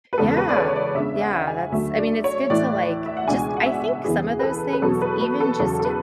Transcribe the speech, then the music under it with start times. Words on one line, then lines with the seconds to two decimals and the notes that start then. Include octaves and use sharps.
Yeah. Yeah, that's I mean, it's good to, like just I think some of those things, even just h
0.13 B4
0.18 E2 C#3 G#3 B3 A4
0.31 A4
0.37 B4
0.49 D5
0.57 C#5
0.70 C#5
0.76 D5
0.95 C#3 G#3 B3 D4 E5
1.21 F#5
1.47 G#5
1.72 D2 D3 F#3 A3 E5
1.98 D5
2.24 C#5
2.50 A2 E3 A3 E4 D5
3.06 E5
3.17 F#5
3.27 C#2 B2 G#3 D4 G#5
3.57 F#5
3.66 E5
4.04 E2 C#3 E3 B3 G#4
4.39 B4
4.43 A4
4.73 B4
4.82 E2 B2 F#3 A4
5.01 B4
5.21 B4
5.40 A4
5.59 E2 C#3 F#3 A4
5.80 A4
5.85 B4